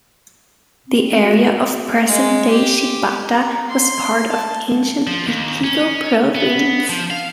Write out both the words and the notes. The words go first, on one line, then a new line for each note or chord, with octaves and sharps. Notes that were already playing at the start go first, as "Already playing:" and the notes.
The area of present-day Shibata was part of ancient Echigo Province.
C4
F#4
G#3
G4
A#5
C6
A5
F3
D#2
C#4
B3
F3
F5